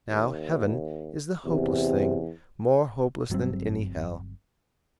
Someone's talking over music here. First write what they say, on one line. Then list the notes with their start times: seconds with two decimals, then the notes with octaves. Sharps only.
Now, heaven is the hopeless thing, more hopeless than any hell.
0.10 D#2
1.46 E2 C3
3.30 G1 F#3 G3 C4